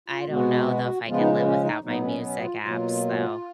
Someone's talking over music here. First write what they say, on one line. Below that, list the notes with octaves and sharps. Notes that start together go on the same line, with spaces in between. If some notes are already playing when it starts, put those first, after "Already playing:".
I don't know, though, if I could live without my music apps, though,
F4
B2 G#3 B3 F#4
C#3 F3 G#3 B3 F4
D#4
B3
C#4
D#4
B2 F#3 B3 D#4
C#4
C#4
F4
B2 F#3 A#3 F4